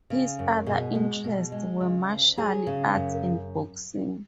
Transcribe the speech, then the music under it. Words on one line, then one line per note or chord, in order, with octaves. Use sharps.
His other interests were martial arts and boxing.
C#3
F#2
B2 G#4
G#3
B2
G#3
C#3
D2
F#3 G#4
C#3
F#2